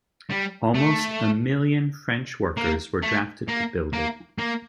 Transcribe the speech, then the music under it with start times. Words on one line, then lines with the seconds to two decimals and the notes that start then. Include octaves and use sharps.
Almost a million French workers were drafted to build it.
0.30 G3
0.75 A3
2.57 A#3
3.03 A3
3.48 A#3
3.93 A#3
4.39 A#3